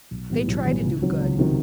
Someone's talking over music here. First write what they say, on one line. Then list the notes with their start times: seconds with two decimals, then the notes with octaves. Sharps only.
They try to do good.
0.11 B1
0.30 A2 E3 G3 B3
0.48 B1
0.65 A2 E3 G3 B3
0.84 C#2
1.02 C3 D#3 F#3
1.20 C#2
1.38 C3 D#3 F#3